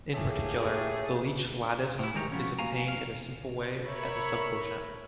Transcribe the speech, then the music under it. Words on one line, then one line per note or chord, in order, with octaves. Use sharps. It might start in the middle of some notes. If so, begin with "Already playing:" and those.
In particular, the Leech lattice is obtained in a simple way as a subquotient.
A3 A#3 C#4 E4 G4 G#4
A2 E4
D#3 G#3 D#4 G4 A#4 C#5
F3 B3 C#4
A#3 F#4 F5 G#5 A#5
F2 F5
A#4 C#5 E5 B5